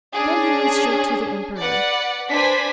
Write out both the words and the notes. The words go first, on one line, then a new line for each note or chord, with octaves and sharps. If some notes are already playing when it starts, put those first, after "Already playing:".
Then he went straight to the emperor.
C#4 D4 G#4
B4 D5 F#5
D4 B4 C5 G#5 B6